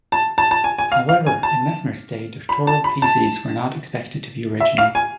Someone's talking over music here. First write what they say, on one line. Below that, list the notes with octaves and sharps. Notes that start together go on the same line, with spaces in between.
However, in Mesmer's day doctoral theses were not expected to be original.
A5
A5
A5
G#5
G#5
F5
F5
G#5
A5
B5
A5
B5
A5
E5
F5
G#5